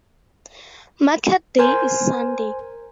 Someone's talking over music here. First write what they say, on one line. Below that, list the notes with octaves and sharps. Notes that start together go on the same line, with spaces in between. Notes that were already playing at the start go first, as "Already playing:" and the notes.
Market day is Sunday.
A#4 C5 G#5